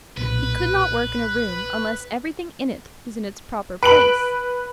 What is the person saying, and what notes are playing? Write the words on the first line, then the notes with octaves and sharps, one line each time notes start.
He could not work in a room unless everything in it was in its proper place.
B1 A#2 B4
B4 D7 F#7